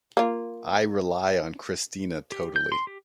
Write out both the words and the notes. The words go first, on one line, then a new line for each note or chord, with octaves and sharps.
I rely on Kristina totally.
A#3 F4
G4
G6
C6
G4